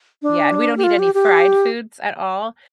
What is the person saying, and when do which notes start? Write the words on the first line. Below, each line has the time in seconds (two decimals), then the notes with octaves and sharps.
Yeah, and we don't eat any fried foods at all,
0.22 D4
0.77 G4
0.84 F4
0.99 G4
1.14 G4